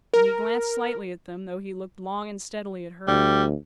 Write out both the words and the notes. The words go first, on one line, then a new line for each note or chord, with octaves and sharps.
But he glanced slightly at them, though he looked long and steadily at her.
A#4
D2 G3